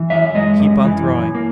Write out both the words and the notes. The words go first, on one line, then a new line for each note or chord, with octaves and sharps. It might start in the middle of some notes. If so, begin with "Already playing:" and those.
"Keep on throwing."
Already playing: E3
F#2 E5
G#3 D#5
F#2
E3
F#2
A#3